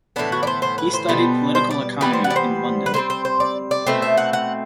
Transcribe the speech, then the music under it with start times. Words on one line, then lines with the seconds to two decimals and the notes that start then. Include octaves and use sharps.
He studied Political Economy in London.
0.16 A2 E3 B3 D4
0.32 F#4
0.43 D5
0.47 C5
0.62 C5
0.78 B4
0.93 C5
1.09 B2 G3 B3
1.55 C5
1.71 D5
2.01 E3 G3 B3 B4
2.13 C5
2.24 F#5
2.31 D5
2.36 C5
2.86 B4
2.94 D3 G3 C4 C5
3.10 C5
3.25 C5
3.40 D5
3.71 D5
3.87 B2 A3 C4
4.02 E5
4.18 F#5
4.33 F#5